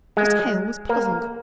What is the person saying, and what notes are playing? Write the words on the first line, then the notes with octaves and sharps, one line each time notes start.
Mr. Hale was puzzled.
G#3
A#3